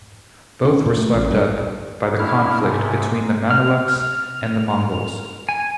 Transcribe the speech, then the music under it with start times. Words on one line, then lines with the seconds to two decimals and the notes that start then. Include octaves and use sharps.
Both were swept up by the conflict between the Mameluks and the Mongols.
0.65 C#4
0.86 A#2
0.97 A3
1.14 A1
1.31 G2
2.19 G2 E4 F6
2.62 G#2 C3
3.51 F6
5.49 G#5